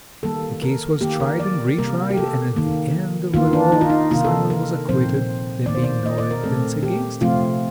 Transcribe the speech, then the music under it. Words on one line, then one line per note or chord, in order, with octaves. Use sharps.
The case was tried, and re-tried, and at the end of it all Simon was acquitted, there being no evidence against him.
D#3 G3 A#3 A4
A#4
D#3 A#3 G4
A#4
D5
C3 G3 A#3 A#4
G4
A4
D#3 A#3
D#3 A#3 F4
D4
D#4
F4
D#4
C3 D#3 A#3 F4
A4
A#4
A#2 F3 C4 C5
D#3 A#3 D5
C5
D5
D#5
D5
A#4
A#2 A3 C4 A4
G4
C3 F3 A3 C4 F4